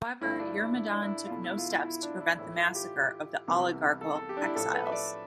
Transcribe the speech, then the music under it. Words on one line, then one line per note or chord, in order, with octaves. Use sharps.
However, Eurymedon took no steps to prevent the massacre of the oligarchical exiles.
G2 D3 F3 A3 E4
D4
E4
E4
D4
E4
F4
E2 B2 A3 E4
E4
F4
E4
E4
D4
E4
A2 E3 A3 E4
F4
G4
C2 C3 E3 B3
A4
A4
G4
D4
E4
A2 F3 A3 A4
B4
E5
D5